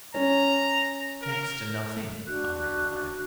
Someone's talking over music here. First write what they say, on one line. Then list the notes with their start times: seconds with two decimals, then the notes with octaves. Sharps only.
"Next to nothing," I replied.
0.14 C#4 A#5
1.22 A#4
2.25 D4 F#4 F#6